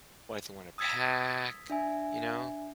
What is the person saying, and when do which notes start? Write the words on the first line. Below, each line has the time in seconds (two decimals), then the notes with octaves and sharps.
What if they wanna pack, you know?
0.78 D#6 E6 G#6 A6 B6 C#7
1.70 D4 E5 G#5